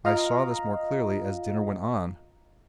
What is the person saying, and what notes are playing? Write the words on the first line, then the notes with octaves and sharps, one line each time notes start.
I saw this more clearly as dinner went on.
F4 D#5 F5 A#5